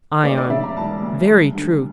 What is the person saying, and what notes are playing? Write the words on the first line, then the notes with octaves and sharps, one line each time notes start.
ION: Very true.
D2 D5
D5
C#3 E5
A#5
E1 A5
D2
G3
D3